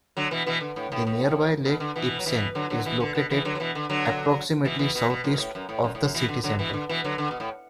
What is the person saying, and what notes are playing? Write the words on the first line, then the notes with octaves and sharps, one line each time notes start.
The nearby Lake Ibsen is located approximately south-east of the city center.
D3 F#3
B2 E3
B2 E3
D3
A2
A2
A2
B2
D3
B2 E3
F#3
B2 E3
D3 F#3
D3 F#3
B2 E3
D3
B2
B2 E3
D3 F#3
F#3
B2 E3
D3
D3 F#3
B2 E3
B2 E3
B2
B2
F#2
B2
A2
F#2
A2
F#2
A2
F#2
B2 E3
D3
D3 F#3
B2 E3
D3
B2 E3
D3 F#3
D3
B2
A2